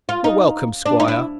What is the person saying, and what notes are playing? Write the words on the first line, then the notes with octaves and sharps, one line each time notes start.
"You're welcome, squire."
F4
D#4
D4
D#4
E4